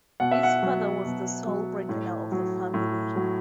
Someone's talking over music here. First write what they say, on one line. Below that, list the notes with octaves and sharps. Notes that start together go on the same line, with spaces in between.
His father was the sole breadwinner of the family.
B2 F#5
E5
F#5
F#3
B2
F#3
A2
F#3
A2
F#3